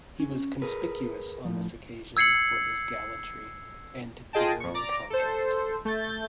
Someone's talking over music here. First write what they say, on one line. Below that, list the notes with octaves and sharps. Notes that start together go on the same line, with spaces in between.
He was conspicuous on this occasion for his gallantry, and daring conduct.
C#4
G#4 A#4 B4
A2 F3
E6 G#6 C7 C#7 F#7
F4 G#4 D#5 G5 A5
F2 C#6
D5 A#5 D6
A4 C5
A3 G6 A6